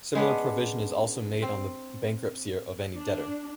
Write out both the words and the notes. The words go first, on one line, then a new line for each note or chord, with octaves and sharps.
Similar provision is also made on the bankruptcy of any debtor.
G#3 B3 C#4 D4
C4
D4